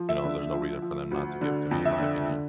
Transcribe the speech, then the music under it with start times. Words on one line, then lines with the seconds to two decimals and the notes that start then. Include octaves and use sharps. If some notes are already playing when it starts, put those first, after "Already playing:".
you know, there's no reason for them not to give it to me in my opinion.
Already playing: F3
0.09 E5
0.24 D3
0.52 F3
0.82 F3
1.11 D2
1.41 D3
1.71 F2
1.85 E5
2.00 D3
2.30 D3